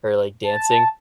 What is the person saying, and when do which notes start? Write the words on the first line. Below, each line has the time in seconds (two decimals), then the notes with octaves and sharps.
are, like, dancing.
0.44 A5